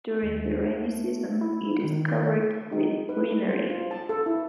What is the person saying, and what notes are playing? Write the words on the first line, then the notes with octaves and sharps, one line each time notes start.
During the rainy season, it is covered with greenery.
D#2
A3
E4
D#3
D#4
B4
C5
F4
A5
A4
E4